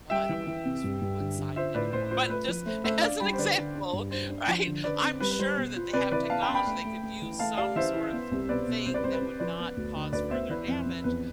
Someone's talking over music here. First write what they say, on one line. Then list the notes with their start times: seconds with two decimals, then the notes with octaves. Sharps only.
well, I don't really use f wood siding anymore, but just as an example, right, I'm sure that they have technology they could use some sort of thing that would not cause further damage,
0.10 G3 E5 G5
0.29 E3
0.47 E3
0.65 C3
0.84 G2
1.01 G2
1.19 D3
1.38 D3
1.56 F4 C5 E5
1.74 A2 B4 D5
1.93 A2 C5
2.11 F4 C5
2.29 A3 B4
2.48 F3
2.66 A3 C5
2.84 A3 C5 E5
3.02 D4 D5 F5
3.20 G3 G5 B5
3.33 C5
3.38 D3 B4 D5
3.57 D3
3.75 D4
3.93 G2
4.11 D4 C5
4.30 D4
4.48 F3
4.66 D3
4.84 D3 B4 D5
5.03 C4
5.20 G3 B4
5.31 B4
5.39 G3 C5
5.57 B2
5.76 F4
5.93 C3 B4 D5
6.12 E3 B4 D5
6.30 B3 F5 A5
6.42 G5 B5
6.49 B3
6.55 G5 B5
6.66 A3
6.85 A3
7.03 A3
7.22 E3
7.39 A3 F5 A5
7.57 G4 D5 F5
7.76 E3 C5 E5
7.94 E4
8.13 B3
8.32 C2
8.49 B2 B4 D5
8.67 B2
8.86 C2 C5
8.94 B4 D5
9.04 C2 C5
9.12 B4
9.22 C4
9.40 F3 B4 D5
9.59 B3
9.77 D2
9.95 D3
10.13 D2 B4 D5
10.31 B3 C5 E5
10.50 E3 B4 D5
10.68 F2
10.86 F2
11.04 E2 B4